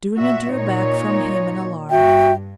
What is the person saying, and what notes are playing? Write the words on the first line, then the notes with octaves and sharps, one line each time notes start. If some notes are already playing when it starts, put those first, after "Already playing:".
Dounia drew back from him in alarm.
A#2 F#4 E5
A#2 D#4 C#5
G2 F#4 E5 G5